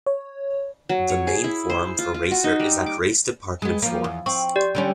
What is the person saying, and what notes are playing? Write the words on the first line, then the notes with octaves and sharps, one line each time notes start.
The main forum for Racer is at RaceDepartment Forums.
C#5
F#3
C#5
G#4
E4
C5
F4
F4
F#4
D#4
G3
D6
G#3 B3
F3 A#3
E2
C4 C#6
G4 D5
D3 G3 C#4